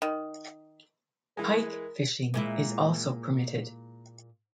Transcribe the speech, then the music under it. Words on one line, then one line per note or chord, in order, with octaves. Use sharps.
Pike fishing is also permitted.
D#3
E3 G#3 A#4
A#2 G#3 E4